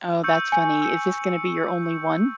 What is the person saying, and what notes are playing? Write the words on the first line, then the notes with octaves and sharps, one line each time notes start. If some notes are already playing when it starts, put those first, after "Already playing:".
Oh, that's funny. Is this gonna be your only one?
C#6 E6 G6 C#7
G#5
E6 G6 C#7